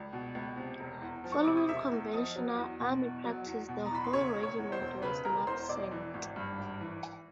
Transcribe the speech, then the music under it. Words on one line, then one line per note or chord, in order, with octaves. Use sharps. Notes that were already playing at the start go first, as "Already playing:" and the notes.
Following conventional army practice the whole regiment was not sent.
Already playing: C#2 D5
B2
C#2
C3
E1
E2
F3
C#6
C3 D6
D#6
E1 E5 E6
E2
F3 D#5 D#6
F#3
E2
B2
E2
F#3
E2
B2
A#5
E2 B5
C6
C#3 C#5 C#6
E1
C#5 C#6
E2
C5 C6
E1
C#3 B4 B5
E1 A#4 A#5
E2 C5 C6
E1 D5 D6
E3
G#1
G2
G#1
E3